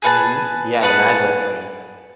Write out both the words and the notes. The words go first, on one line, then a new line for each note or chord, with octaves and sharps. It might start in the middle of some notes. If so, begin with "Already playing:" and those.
Mhm. Yeah, the maglev train.
G#4 B4 F#5 A5
G#4 B4 F#5 A5